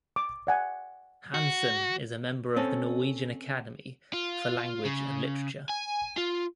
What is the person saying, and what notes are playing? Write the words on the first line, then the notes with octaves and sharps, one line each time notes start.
Hansen is a member of the Norwegian Academy for Language and Literature.
D6
D5 F#5 G#5
F#4
C4 C#4 A4
F4
C#3
G#5
F4